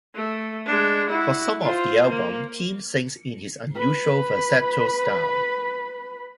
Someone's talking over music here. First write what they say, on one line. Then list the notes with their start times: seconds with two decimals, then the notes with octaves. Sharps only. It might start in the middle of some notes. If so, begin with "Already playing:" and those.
For some of the album, Tim sings in his unusual falsetto style.
0.15 A3
0.66 G#3 D4
1.10 E4 F#4
1.62 F4 C5
2.09 A#3
3.75 B4 B5